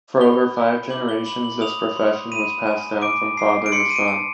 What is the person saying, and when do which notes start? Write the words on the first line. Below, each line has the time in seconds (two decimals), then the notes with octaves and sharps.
For over five generations, this profession was passed down from father to son.
0.21 B5 G7
0.56 F#6
0.90 D6 F#7
1.09 G7
1.26 B5 F#7
1.44 F#7
1.61 D#6 F7
1.97 C6
2.32 B5 D#7
2.67 G#5
3.02 D6 D7
3.37 A5 C7
3.66 D7
3.72 C6 C#7
3.90 D#7
3.96 D7
4.08 A5